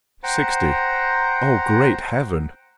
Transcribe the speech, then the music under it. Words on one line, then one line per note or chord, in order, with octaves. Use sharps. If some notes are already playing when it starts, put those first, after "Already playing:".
Sixty--oh, great heaven!
C5 F#5 G5 A#5